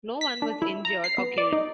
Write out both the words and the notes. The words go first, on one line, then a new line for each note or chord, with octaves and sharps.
No one was injured or killed.
B6
D4
E4
A#5
C7
B3
D5
D#4